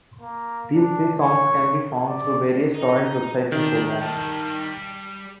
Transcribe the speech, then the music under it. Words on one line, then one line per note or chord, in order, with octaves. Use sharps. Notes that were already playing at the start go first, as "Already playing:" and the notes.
These three songs can be found through various Torrent websites and programs.
A#3
D4
C#5
D5
D#4
D#3 D4
G3 A5